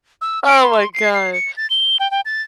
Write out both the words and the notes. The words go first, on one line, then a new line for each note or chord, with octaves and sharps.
Oh my God.
E6
D7
C6
C7
C7
C#7
A6
G7
G5
G5
A6